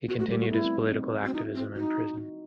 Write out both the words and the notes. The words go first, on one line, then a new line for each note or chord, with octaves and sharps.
He continued his political activism in prison.
B3 F#4
A3 F#4
G3 G4
A3 F#4
B3 E4
C4
D#4
C4
C4 F#4
D#4 E4
C4
D#4 F#4
D#4